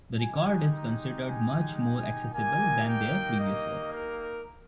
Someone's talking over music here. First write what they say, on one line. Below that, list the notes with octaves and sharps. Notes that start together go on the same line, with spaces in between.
The record is considered much more accessible than their previous work.
G#3 D#4 G4 G#5
A#5
G#5
G#5
A#3 D#4 G4 G#5
G5
D#5
A#4